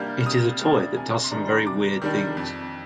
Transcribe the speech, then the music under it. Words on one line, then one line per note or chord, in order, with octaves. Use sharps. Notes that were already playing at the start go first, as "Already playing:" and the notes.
It is a toy that does some very weird things.
Already playing: C3 G3 A#3 D4 F6 G6
F6
C3 D#6
G3 A#3 D4 F6
C3 G#5
C6
D#3 G3 D4 A#5
C3 D6
D#3 G3 D4
F2